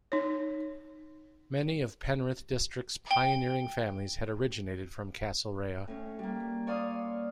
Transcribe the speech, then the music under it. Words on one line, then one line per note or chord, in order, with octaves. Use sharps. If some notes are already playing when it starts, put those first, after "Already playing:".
Many of Penrith district's pioneering families had originated from Castlereagh.
D#4 C#5
G5 G7
A2 C#4
G3 A#3
C#5 D5 F5 C6 D#6